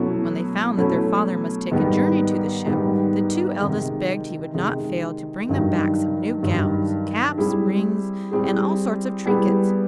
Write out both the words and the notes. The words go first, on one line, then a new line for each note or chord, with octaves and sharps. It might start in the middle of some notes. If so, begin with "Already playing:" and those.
When they found that their father must take a journey to the ship, the two eldest begged he would not fail to bring them back some new gowns, caps, rings, and all sorts of trinkets.
Already playing: B2 F#3 A3 C#4 E4
B2 F#3 A3 C#4 E4
G#2 D#3 G3 B3
G#2 D#3 G3 B3
C3 D#3 G#3
C3 D#3 G#3
G2 D#3 F#3
G2 D#3 F#3
G3 C4 E4 G#4
G3 C4 E4 G#4
G3 B3 E4 G#4